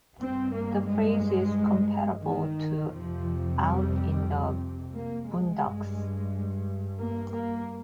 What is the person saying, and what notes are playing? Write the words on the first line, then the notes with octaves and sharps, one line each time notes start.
The phrase is comparable to "out in the boondocks".
G2 C4
A#3
G#3
D#3
F2 C3 F3
G3
A#3
G#3
G2
A#3
A#3